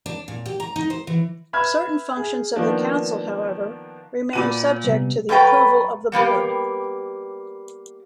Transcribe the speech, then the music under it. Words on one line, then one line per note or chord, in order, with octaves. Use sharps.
Certain functions of the Council, however, remained subject to the approval of the Board.
D4
A#2
G4
A#5
D#4
C5
E3
B4 E5 B5 F6 G#6
G#4
D#3 F3 A#3 B3 D4
A#2 F#4 B4 D5 D#7
C3 G3 B3
F#2 A3 B4 G5 A#5
G3 A#3 B3 G4